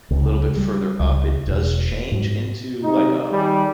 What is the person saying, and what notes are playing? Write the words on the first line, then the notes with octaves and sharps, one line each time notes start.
a little bit further up, it does change into, like, a
C#2
G3
C#2
E1
G#2
C3 D#4
D#3 G3 G#4